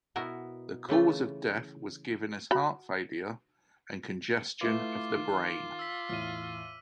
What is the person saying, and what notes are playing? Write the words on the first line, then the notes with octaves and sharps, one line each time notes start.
The cause of death was given as heart failure and "congestion of the brain".
B2 B3 E4 F#4 A#4
C#3 E3 A3 F4
F#4 B5
A3 E4 F4 B4 D6
D#3
E6 B6
E2 A2 F6 D#7